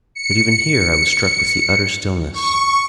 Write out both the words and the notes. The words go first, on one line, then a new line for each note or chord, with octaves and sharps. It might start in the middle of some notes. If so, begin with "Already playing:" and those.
But even here I was struck with the utter stillness.
C#7
C#6